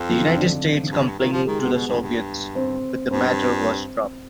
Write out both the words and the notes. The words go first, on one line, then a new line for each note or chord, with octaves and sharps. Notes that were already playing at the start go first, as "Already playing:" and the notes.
The United States complained to the Soviets, but the matter was dropped.
Already playing: F2
F3
D#3
C4
D3 D4
G2
G2
D#3 F4
F3 G4
D#3 G#3 G#4
C3 B3 B4
B2
G2
G2
C4 C5
G2 C4 C5